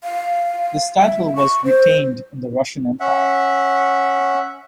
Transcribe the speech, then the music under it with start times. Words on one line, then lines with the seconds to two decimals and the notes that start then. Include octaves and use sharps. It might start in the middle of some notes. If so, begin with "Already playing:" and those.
This title was retained in the Russian Empire.
0.04 F5
1.01 E5
1.36 C#6
1.65 C5
3.00 C#4 E5 F#5